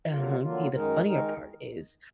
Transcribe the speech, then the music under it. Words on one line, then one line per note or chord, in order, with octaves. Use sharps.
Um, he the funnier part is
D3 F#3 A#3 F4
D3 F#3 A#3 F4
F#2 D#3 G#3 D#4 A#4
D#3 G#3 D#4 A#4